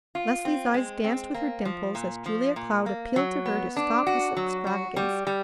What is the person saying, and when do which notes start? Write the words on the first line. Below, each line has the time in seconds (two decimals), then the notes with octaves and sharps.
Leslie's eyes danced with her dimples as Julia Cloud appealed to her to stop this extravagance.
0.15 F4
0.45 C4
0.74 G#3
1.04 C4
1.34 A#3
1.65 F3
1.95 A#2
2.26 F3
2.56 A#2
2.86 A#3
3.16 F#3
3.46 B3
3.77 D4
4.07 F#4
4.37 F#3
4.67 F#4
4.96 G3
5.27 G3